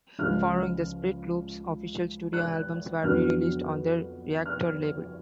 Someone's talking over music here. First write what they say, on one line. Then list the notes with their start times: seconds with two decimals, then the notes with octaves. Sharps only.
Following the split Loop's official studio albums were re-released on their Reactor label.
0.19 C#2 C#3 F3 G#3 F6
2.33 F#6
3.03 F2 D3 F#3 B3 D4 F6
4.46 F6